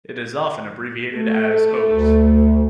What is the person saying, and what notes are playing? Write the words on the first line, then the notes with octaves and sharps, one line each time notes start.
It is often abbreviated as Ose.
A3
D2